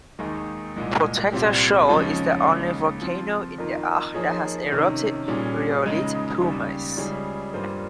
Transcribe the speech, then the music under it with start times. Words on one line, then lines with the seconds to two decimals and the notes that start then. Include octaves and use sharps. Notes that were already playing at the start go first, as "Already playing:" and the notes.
Protector Shoal is the only volcano in the arc that has erupted rhyolite pumice.
0.19 D#2 D#3 G#3 D#4 G#4
0.76 C2 A#2 G#3
1.32 C2 A#2 G3 C4 G4
1.88 D#2 C#3 F3 G#3 C#4
2.46 D#2 C#3 G#3
3.02 F3 C4 F4
3.58 F2 D#3 A#3 F4 A#4
4.15 F3 A#3 D#4 G#4 C#5
4.72 C3 D#3 A#3 C#4
5.28 A#2 G3 C#4 G#4
5.85 C#2 C#3 G#3 D#4
6.42 D#2 C#3 G3
6.97 C#2 C#3 G3 C#4 G#4
7.54 G2 G3 A#3 F4 C5